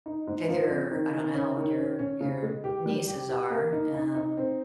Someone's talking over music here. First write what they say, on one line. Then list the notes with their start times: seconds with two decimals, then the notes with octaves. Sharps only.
figure I don't know how old your your nieces are, um,
0.06 D#4
0.27 G#2
0.49 F3
0.71 C4
0.91 D#3
1.13 D#3
1.35 C#4
1.57 D#3
1.78 C#4
1.99 C#4
2.21 C#3
2.42 G#3
2.64 G4
2.86 G3
3.07 G4
3.29 G4
3.50 A#3
3.73 D#4
3.94 D#4
4.15 D#4
4.37 C4